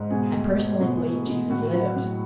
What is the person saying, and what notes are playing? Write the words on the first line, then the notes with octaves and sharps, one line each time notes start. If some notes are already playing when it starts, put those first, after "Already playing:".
I personally believe Jesus lived.
Already playing: G#2
B2 G#4
A3
A3
B2
A3
B2
A2 F#4
F#3
A2